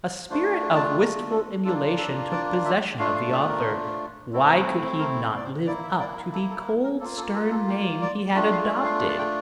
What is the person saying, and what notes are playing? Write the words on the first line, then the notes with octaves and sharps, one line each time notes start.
A spirit of wistful emulation took possession of the author; why could he not live up to the cold stern name he had adopted?
A3 D4 F4 C5
A5
A#4
A4
A#3 D4 F4 A4
A4
D5
E5
A3 D4 F4 F5
F5
E5
A#4
A3 C4 E4 A4
A#4
C5
D5
C5
A#3 E4 D5
E5
D5
A#4
A4
A4
A#4
A#4
A#3 F4 A4
A4
A4
A4
G4
D5
A3 D4 F4 A5
F5
E5
F5
A5
G5